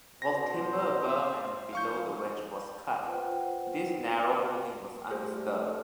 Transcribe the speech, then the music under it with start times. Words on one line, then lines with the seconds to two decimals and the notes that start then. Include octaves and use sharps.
While timber above and below the wedge was cut, this narrow holding was undisturbed.
0.22 B2 C5 A#6
1.09 E5
1.73 F3 F5 C#6 G6
3.06 F4 B4 C5 F#5 G5
5.11 G3 A3 G#4 C5